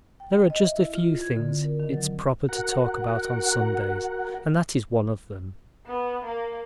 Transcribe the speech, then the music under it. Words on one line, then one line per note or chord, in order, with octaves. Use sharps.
There are just a few things it's proper to talk about on Sundays and that is one of them.
G5
G5
D#5
E5
E4
F4
G#6
D3
C4
A#4
D#3
F#3
F#4 A#4 F#5
B3
A#3